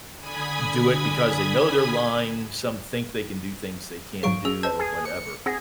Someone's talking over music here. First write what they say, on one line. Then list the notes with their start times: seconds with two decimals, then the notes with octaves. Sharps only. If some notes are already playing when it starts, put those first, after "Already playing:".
do it because they know they're lying, some think they can do things they can't do or whatever,
0.19 D3 G#5 B5 D#6 G#6
4.23 G#2 F#3 G#4 F5 C#6 D7
4.45 C#4 G#4 E6
4.63 B4 C5 D#5 A5 E6 G6
4.79 G#4
5.05 C#7
5.46 C4 G#4 F#5 A#6